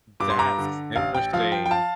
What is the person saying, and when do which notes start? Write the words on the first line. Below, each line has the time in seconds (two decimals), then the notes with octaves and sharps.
That's interesting.
0.20 G2 D6
0.30 C6
0.39 A#5 D6
0.58 D3
0.96 A1 F5
1.15 G5
1.33 F3 F5
1.52 G5
1.66 G5
1.71 F5 A5